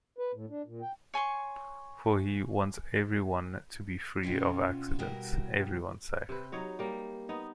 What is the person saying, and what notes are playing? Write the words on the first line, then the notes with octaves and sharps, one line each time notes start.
For he wants everyone to be free of accidents, everyone safe.
B4
A2
D4
A#2
G5
C#5 G#5 C6 C#6
B2 C4 C#4 F4
B2 G3 E4 F#4 A#4
C3 B4
F#3 D#4 C#5
G3 A#3
B3 D#4